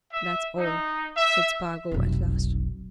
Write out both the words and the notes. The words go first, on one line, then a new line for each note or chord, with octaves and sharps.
"That's all," said Spargo at last.
E5
D#4
E5
F1 B1